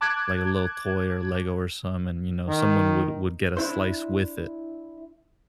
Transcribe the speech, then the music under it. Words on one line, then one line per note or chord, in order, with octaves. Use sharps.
like, a little toy or Lego or some and, you know, someone would would get a slice with it.
A5 D6 F#6 G#6
D#3
D4 E4 C5